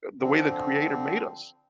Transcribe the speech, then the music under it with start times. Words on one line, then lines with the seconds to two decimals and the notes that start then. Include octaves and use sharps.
the way the creator made us,
0.22 D3 F3 C4